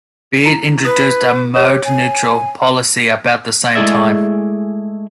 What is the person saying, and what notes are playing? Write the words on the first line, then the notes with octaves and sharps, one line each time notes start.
Beard introduced a "mode neutral" policy about the same time.
E4 A#5
B4 D#6
G4 C#5
G#5
G#3 A3 E4 G#4 D5 E5